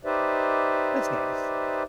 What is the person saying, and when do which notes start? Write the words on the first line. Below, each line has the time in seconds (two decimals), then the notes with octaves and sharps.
That's nice.
0.05 D#4 G4 B4 C5 D5 E5